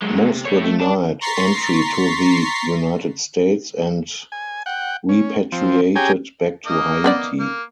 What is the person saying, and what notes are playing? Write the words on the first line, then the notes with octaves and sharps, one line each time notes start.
Most were denied entry to the United States and repatriated back to Haiti.
F#3 G#3
C3
A3 C#5
A3
D5 A5
A#5 C6 C#6 A6 B6 C7
G#5
F#5 G5
C#4
F3 C4
C#4 G4 G#4 G5 G#5 A#5
A#3 D#4 D#5
B3 B4 D5
A#3